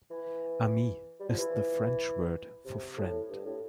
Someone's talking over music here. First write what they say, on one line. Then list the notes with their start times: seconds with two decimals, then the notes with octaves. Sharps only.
Ami is the French word for friend.
0.10 E3
1.20 G3
1.29 F3
1.38 E3
2.65 C3
2.97 A2
3.30 G2
3.45 A2